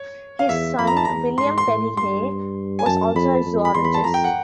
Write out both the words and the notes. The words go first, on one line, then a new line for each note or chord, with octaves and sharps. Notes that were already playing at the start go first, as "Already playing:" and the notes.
His son, William Perry Hay, was also a zoologist.
Already playing: C#5
F5
E2 E5
F2 B5
A#5
A5
E2 A#5
G#2 C6
C6
A2
G2 C6
G#5
F#2 A5
F2 B5
F2
B5
E2 C6
B5
A5
F2 A#5
G5
F#5